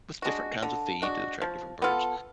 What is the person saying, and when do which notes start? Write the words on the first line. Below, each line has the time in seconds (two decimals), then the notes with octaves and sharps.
With different kinds of feed to attract different birds
0.22 G#3 D4 F#4
0.63 D3
1.02 G#3 D4 F#4
1.42 F3
1.82 B3 F4 A4